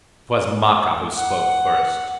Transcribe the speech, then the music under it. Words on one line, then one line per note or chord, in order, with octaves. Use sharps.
'Twas Maka who spoke first.
F#5